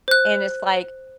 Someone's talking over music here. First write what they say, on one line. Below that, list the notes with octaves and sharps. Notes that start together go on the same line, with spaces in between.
and it's, like,
C5 F#6